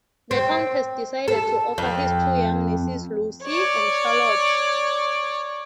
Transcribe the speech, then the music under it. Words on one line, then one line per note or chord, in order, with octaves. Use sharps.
The count has decided to offer his two young nieces, Lucy and Charlotte.
C4
A4
F2
C#5 D5